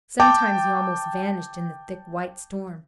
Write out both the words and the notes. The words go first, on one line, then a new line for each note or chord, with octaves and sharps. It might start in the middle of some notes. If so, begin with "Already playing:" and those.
Sometimes he almost vanished in the thick white storm.
G5 A5 D6